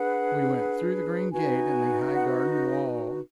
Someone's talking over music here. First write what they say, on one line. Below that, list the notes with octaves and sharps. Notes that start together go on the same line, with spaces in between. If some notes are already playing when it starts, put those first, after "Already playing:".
We went through the green gate in the high garden wall.
Already playing: D4 G#4 B4 F#5
D#4 F#4 B4 G#5
F#5